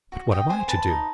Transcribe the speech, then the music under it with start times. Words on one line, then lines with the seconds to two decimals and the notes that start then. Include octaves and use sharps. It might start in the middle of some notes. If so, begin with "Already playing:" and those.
"But what am I to do?"
0.12 F#4
0.31 D#5 G5
0.49 C5 G#5
0.68 B4 A5
0.87 D#4